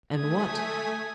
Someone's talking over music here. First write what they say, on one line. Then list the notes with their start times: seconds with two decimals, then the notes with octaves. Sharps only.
"And what?"
0.14 A3 G#5 D#6 G#6 B6